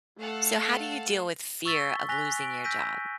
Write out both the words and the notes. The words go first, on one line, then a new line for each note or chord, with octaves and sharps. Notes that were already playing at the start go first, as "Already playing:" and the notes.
So, how do you deal with fear of losing your job?
A3 A4 F5 F#5
C#6 E6 A6 B6 G7
G#5 F#6 A#6 B6 F7 G7
D7
E6 G6 A#6 B6 D#7